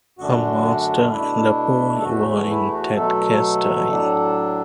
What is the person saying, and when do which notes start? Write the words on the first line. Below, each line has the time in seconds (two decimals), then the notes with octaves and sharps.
A master and a boy were in Tadcaster Inn.
0.18 F#2 D3 A3 D4 F#4
1.11 B2 A3 D4 E4
1.96 A4
2.04 E2 E3 A3 F#4
2.50 E4
2.73 F#4
2.96 B2 F#3 A3 A4
3.89 A2 F#3 D4